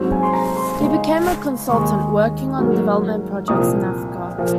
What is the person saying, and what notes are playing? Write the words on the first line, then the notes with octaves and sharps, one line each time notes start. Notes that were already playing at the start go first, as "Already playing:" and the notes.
He became a consultant, working on development projects in Africa.
Already playing: G#2 F#3 C4
G#5
C6
A#5
C6
C#2 C#3 G#3 D#4
D#2 D#3 G#3 C#6
G#2 F#3 A#3
C2 A#2 F3 A#3 D#6
A#2 F3 A#3